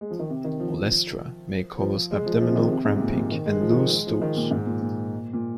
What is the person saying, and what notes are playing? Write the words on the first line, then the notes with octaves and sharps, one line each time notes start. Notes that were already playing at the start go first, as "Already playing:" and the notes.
Olestra may cause abdominal cramping and loose stools.
G#3
F3
D#3
C3
D#3
F3
F3
F3
G#3
F3
G#3
F3
C3
D#3
C3
G#2
C3
A#2
C3
A#2
D#3
G#3
F3
D#3
F3
G#3
F3
D#3
A#2
G#2
A#2
A#2
A#2